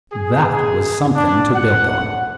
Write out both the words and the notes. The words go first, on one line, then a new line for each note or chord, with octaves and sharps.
That was something to build on.
G#4
G#4
D4
F#5